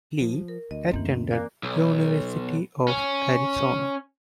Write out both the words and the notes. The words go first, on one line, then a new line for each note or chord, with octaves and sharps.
Lee attended University of Arizona.
F3
A#4
D2 D#5
F#2 E3 A#3 C4 E4
A#3 D5 G#5 F#6
B1
C#4